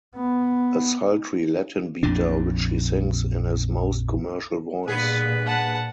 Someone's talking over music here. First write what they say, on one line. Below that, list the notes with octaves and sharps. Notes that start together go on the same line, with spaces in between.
A sultry Latin beater which he sings in his most commercial voice.
B3
A#1 F2 A#2 D4
G2 A#2 B3 G#4 B4
F#5 A5